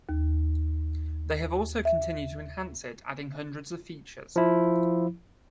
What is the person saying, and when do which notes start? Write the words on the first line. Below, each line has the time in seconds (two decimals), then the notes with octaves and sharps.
They have also continued to enhance it, adding hundreds of features.
0.09 D#2
1.85 E5
4.36 F3 E4